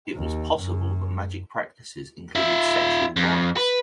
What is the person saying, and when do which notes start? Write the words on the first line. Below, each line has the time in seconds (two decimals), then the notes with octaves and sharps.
It was possible that the magic practices included sexual rites.
0.16 D#2
0.57 F#2
2.35 F4 E5
3.16 F2
3.57 B4